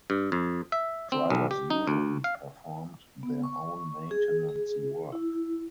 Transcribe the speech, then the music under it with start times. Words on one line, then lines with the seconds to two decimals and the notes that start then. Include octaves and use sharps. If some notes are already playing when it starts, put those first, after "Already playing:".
Drivers usually performed their own maintenance work.
0.10 G2
0.32 F2
0.72 E5
1.12 C4
1.30 B1
1.51 G4
1.70 D#4
1.87 D2
2.24 F5
3.23 B3
3.43 C#6
4.11 G#4
4.49 G#4
5.12 E4